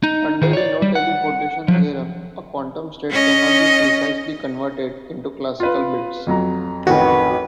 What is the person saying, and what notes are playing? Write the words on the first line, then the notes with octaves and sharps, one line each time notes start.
Under the no-teleportation theorem, a quantum state cannot be precisely converted into classical bits.
D#4
D#3 G#4
C#5 D5
G3
F#5
F3 F#3
C#4 D#5
F4 B4
F2 F#3 A#5
A1 F2 D#3 F#4 B4